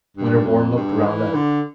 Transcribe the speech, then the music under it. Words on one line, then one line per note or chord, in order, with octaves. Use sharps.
Winterborne looked round at it.
G2
F2
G2
E3
D3